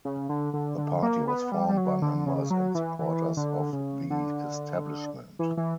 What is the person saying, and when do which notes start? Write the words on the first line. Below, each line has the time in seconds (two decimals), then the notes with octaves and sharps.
The party was formed by members and supporters of the establishment.
0.05 C#3
0.29 D3
0.53 D3
0.78 D3
1.03 A#3
1.28 B3
1.52 G3
1.69 G3
1.77 F#3
2.02 D3
2.26 C#3
2.50 F#3
2.75 E3
2.99 E3
3.37 D3
3.73 C#3
4.10 D3
5.39 E3
5.57 E3